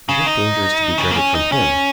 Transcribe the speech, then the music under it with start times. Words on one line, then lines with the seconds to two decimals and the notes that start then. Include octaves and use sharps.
"But what danger is to be dreaded from him?"
0.09 C#3
0.27 D#4
0.98 C#3
1.11 A#3
1.16 C#4
1.35 D#4
1.52 C#4